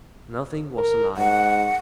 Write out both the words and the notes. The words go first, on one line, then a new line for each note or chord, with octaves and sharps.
Nothing was alive.
A#4
G#2 F#5